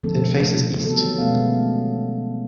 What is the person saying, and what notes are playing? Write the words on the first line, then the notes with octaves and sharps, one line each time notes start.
It faces east.
D3 F3 A3 A#3 C4 A4
D#3 F#3 G3 B3 C4 A4
B2 G#3 A3 B3 C#4 F5